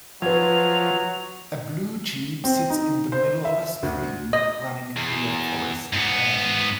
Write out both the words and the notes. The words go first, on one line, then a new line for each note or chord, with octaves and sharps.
A blue jeep sits in the middle of a stream running through a forested area.
F3 F#3 B4 G#6 F7
C4
D#4
C5
E5
D2
D#5
E2
G#2 B3